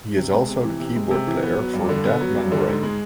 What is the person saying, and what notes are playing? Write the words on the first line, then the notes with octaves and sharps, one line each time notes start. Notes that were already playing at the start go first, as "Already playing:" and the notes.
He is also the keyboard player for Dead Man Ray.
C3
G#3
C3
E3
C3
G#3
C3
E3
B3
F#3
G2
D3
B3
F#3
G2
D3
G#2
G#3